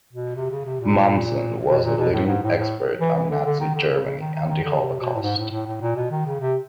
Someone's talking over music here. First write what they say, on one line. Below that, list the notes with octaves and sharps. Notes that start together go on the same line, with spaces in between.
Mommsen was a leading expert on Nazi Germany and the Holocaust.
B2
C3
C#3
C3
A#2
B2
A#2
B2
A2
G#2
A2
A2
E3
E3
D3
D3
D#3
D3
C#3
C#3
D#3
D#3
D#3
D3
C3
B2
A2
G#2
A2
A2
A2
A#2
B2
D#3
C#3
C3